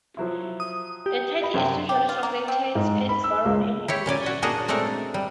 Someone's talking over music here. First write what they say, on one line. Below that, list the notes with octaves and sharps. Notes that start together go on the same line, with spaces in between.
The title is usually translated as "Baron" in English.
F3 F#3 E4
D#6
G4
D#5 B5
F#2 C3 G5
G4
F4
A#3
C4
G#2
B5
E6
C#2
E4 G4 C#5
A#2 C#4 D5 G#5
F#4
A#3 D4 F#4 G#4 A#4 D#5
G#3 A3 C4 D4 A4 A#4
G3